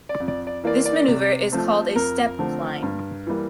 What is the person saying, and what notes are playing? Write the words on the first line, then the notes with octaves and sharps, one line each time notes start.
This maneuver is called a step climb.
D5
F2
D5
D5
E3 A#3 D5
D5
C3
F3 A3 C4
F2 A#4
D3 F3 A3 C4
G2
E3 G3 A#3